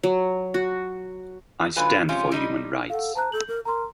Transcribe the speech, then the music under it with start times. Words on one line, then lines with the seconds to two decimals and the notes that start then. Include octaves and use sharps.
I stand for human rights.
0.03 F#3
0.54 F#4
1.76 G#2 D3 F#3 F4 B4 G#5
2.09 C3 F3 G#3 C#4 F4
2.32 G3 D#4 D#5
2.90 A4 F5 F#5
3.15 C5 A5 A#5 F#6
3.32 A4 G6 F#7
3.48 A#4
3.65 A#4 A#5 C6